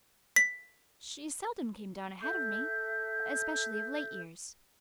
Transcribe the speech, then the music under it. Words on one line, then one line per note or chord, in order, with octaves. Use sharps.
She seldom came down ahead of me, especially of late years.
B6
A4 E5 G6